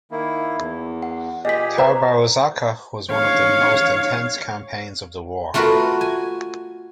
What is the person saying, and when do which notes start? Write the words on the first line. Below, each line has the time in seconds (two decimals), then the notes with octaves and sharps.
Tabaruzaka was one of the most intense campaigns of the war.
0.11 D#3 A#3 E4
0.57 E2
1.03 F#5
1.45 A#2 G4 G#4 D#5 B6
1.78 B4 C5 A#5
3.11 C#5 F5
5.54 A3 F4 F#4 A#4 B4
6.01 G#5